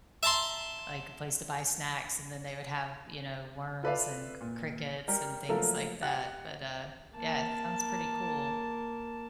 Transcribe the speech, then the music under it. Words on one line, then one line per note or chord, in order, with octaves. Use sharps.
like a place to buy snacks, and then they would have, you know, worms and c crickets, and things like that, but, uh, yeah, it sounds pretty cool.
E5 A5 A#5 C6
F4 A4 B4 D5 E5 F5
A#2
G3 A#4
F3 F#3 A3 A#3 A4 A#4
G4 F5 F#5 F#6
A#3 A5